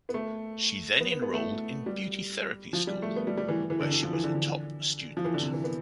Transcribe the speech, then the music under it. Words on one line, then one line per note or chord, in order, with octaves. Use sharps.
She then enrolled in beauty therapy school, where she was a top student.
B3
A3
B3
B3
B3
A3
G3
F3
G3
A3
B3
G3
G3
E3
E3
D3
D3
F3
E3
D3
D3
F3
E3
D3
C3
E3
B3